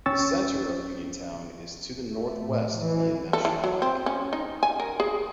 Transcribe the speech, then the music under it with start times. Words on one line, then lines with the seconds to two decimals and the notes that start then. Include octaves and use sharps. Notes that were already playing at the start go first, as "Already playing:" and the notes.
The center of Uniontown is to the northwest via National Pike.
0.06 D#2 C#4 G5 C#6 E6 A6
2.10 A3
2.44 A2
2.76 E3
3.33 A4
3.45 E3
3.64 F#3
3.82 C4
4.06 C#4
4.33 D#4
4.63 G#5
4.80 A#4
5.00 G#4